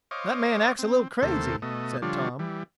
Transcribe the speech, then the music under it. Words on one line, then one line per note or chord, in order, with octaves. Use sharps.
"That man acts a little crazy," said Tom.
C5 C#5 D#5 F5 D6
C4
D#2 C3 A3 A#3 A4 C5
B2 A3 D#5
D3 F3 G3 D4 F4 C#5
E3 G3